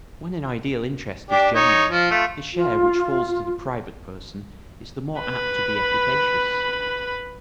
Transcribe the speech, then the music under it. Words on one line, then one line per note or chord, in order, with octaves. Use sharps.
When an ideal interest is general the share which falls to the private person is the more apt to be efficacious.
D4 G4
D#4 C#5
F3
A3 F4
F4
B4 B5